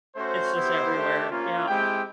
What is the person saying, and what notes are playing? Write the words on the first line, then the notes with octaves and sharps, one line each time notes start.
It's just everywhere, yeah.
A3 C#4 F#4 C5
B3 E4 G4
A3 D4 G4
A#3 C#4 F4
G#3 C4 E4 G4 G5